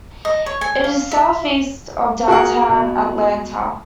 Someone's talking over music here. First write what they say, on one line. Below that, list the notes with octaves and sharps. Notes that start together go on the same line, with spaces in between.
It is southeast of downtown Atlanta.
D#5
C#5
G#5
F5
E5
F#4 G#4 A#4 F#5
B2